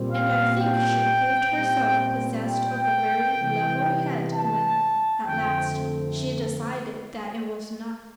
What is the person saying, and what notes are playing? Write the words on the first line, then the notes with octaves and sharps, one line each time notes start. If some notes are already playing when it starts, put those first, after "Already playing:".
And I think she proved herself possessed of a very "level head" when, at last, she decided that it was not.
Already playing: A#2 G3 C4
F5
G5
A#2 G3 C4
G5
C3 E3 G3
A5
F2 D3 A3 C4 G5